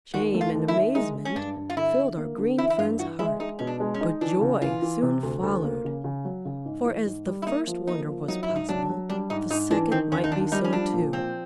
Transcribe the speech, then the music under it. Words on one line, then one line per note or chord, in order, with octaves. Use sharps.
Shame and amazement filled our green friend's heart, but joy soon followed; for, as the first wonder was possible, the second might be so too.
D#2 F#4
A3
F4
D#2
E4
D#3
G#3 D#4
G#3
C#4
G2 D4
G2
F4
D3 E4
D3
A#3
D3
E3 E4
E4
G2 F4
E3 F#4
G#3 E4
G#3 D#4
B2 C#4
D4
G#3
C#4
D#4
E3 D4
C#3
E3 F4
E3
C3
D2
D2
A#3
C#3
C#3
F#3
C#3
G#2
E3
G#2
G3
E4
A#3 D#4
F3
A#3 D#4
F3
F#3 D#4
E4
G#2
D#4
F#3 D4
F#3
G3 D4
G#2 D#4
G#2 D#4
E3 D4
D#3 C4
D#2 C#4
D#4
D#3 D4
G3 D#4
C#4
F3 D4
A#2
F3 C4